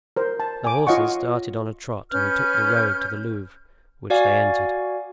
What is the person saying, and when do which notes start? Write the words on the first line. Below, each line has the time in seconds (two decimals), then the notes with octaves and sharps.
The horses started on a trot and took the road to the Louvre, which they entered.
0.17 A#4 C5
0.40 A5
0.65 G#5 D6
0.87 F4 C#5 D#5 F5 F#5 C#6
2.11 C#4 B4 F6 G6
4.10 F#4 D5 F5 G#5